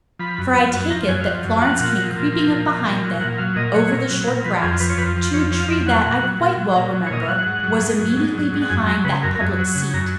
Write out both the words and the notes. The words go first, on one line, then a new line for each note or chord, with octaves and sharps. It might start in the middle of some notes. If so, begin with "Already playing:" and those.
For I take it that Florence came creeping up behind them over the short grass to a tree that, I quite well remember, was immediately behind that public seat.
F3 B5
F#2
F3
F#2
F3 A#5
F#2 G#5
F5
F3 F#5
F#2
F3 F#5
A#2
F3
A#2
F3
A#2
F3
A#2
F#3
A#2 F#5
F#3 F5
A#2 D#5
F#3 C#5
A#2
F#3
A#2
F3 B4
F2 G#4
F3 B4
C#5
F2 B4
F3
F2 C#5
F3 C#5
F5
F2 D#5
F#3 F#5
A#2
F#3
A#2
F#3
A#2
F#3
C#5
A#2 D#5
F5
F#3 F#5
G#2
F#3
G#2
F#3
G#2
F#3
G#2
F#5
F#2 G#5
F#3 A#5
C#3 B4
F#2 A#4
A#4
F#2 G#4
F#3
C#3
F#2 A#5